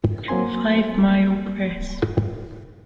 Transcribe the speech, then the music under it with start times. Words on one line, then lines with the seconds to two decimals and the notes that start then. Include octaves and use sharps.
Five Mile Press.
0.28 F#3 A#3 C4 G#5 C6